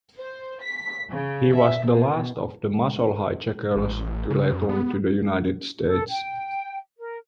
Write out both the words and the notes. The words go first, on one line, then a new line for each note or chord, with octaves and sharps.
He was the last of the muscle hijackers to return to the United States.
C5
B6
C#3
E5
B2
A1
C#3
F#2
B3
A4
G5
A#4